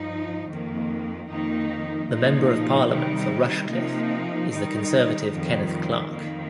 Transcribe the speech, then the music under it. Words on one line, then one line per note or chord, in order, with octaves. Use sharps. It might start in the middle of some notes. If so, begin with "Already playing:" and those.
The member of parliament for Rushcliffe is the Conservative, Kenneth Clarke.
Already playing: G2 F3 D#4
F2 D#3 A#3
F2 D#3 A#3 D#4
A#2 F3 D#4
C3 D#3 G3 D#4
C3 F3 A#3 D#4
D#3 G3 D#4
F2 D#3 G3
F2 D#3 A#3